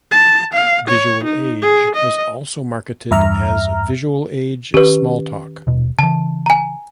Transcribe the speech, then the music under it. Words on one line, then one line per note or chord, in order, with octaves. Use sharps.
VisualAge was also marketed as "VisualAge Smalltalk".
A5
F5
C#5
D#4
G#4
D#5
E2 G2 E5 A#5 F6
D#3 C#4 G4 B4
D#1 B2
C#3 E3 A5
G#5 A#5